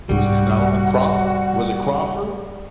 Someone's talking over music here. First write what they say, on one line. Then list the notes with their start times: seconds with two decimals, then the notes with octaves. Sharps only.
It was Canelo and Crawford? Was it Crawford?
0.09 C2 G#2 G3 F#4 F#5